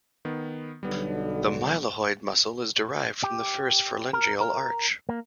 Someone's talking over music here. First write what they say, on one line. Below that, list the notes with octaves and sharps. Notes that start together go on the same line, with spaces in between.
The mylohyoid muscle is derived from the first pharyngeal arch.
D#3 B3
B1 D3 G3 B3
G4
A#4
A#4
A#3